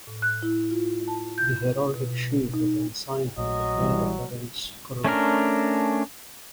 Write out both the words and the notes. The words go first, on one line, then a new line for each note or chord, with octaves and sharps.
The heraldic shield is ensigned with the Heir Apparent's coronet.
A2
F#6
E4
F4
A5
G6
B2
D#4
A#1 A#2 F#3 A3 D#5
E3 G3
A3 C#4 D4 A#4